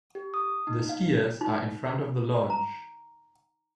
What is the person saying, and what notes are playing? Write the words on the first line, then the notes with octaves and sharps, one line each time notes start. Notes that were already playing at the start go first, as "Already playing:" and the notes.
The skiers are in front of the lodge.
G4
D#6
D#4
F5
D#4
A#5